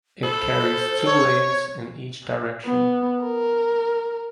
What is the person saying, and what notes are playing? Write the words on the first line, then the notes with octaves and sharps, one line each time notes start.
It carries two lanes in each direction.
A4 C5 B5
C#5
B3
A#4